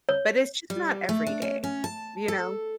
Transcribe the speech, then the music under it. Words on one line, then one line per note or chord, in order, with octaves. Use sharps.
But it's just not every day, you know?
C#5
G3
A3
D4
C#4
C#4
A5
A4